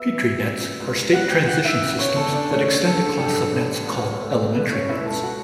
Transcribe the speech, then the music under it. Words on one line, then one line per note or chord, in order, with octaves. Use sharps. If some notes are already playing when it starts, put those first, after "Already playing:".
Petri nets are state-transition systems that extend a class of nets called elementary nets.
Already playing: B3 E5 E6
E3
C#3
C#2
E2 F#5 F#6
G5 G6
E3 F#5 F#6
E5 E6
C#3
C#5 C#6
E2 A4 A5
D4 D5
A3 C#4 C#5
D3 A4
G2 A4
A1
C#2
A3
B2 B4
C#4 C#5
C#2 E4 E5
A4 A5
F#4 F#5